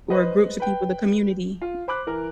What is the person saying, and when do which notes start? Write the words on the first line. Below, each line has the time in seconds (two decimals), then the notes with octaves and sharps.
where groups of people the community,
0.10 B4 C5 D#5
0.60 B4 G5
1.62 F4
1.88 C5 B5 D6 F#6
2.07 E3 A#4